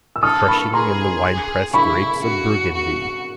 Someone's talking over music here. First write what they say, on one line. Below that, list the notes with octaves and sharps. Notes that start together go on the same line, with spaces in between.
Crushing in the winepress grapes of Burgundy.
E6
A4 D#6 F6
B5 C#6
G#4 A#5 C6
E4 B5 C#6
F#4
F#4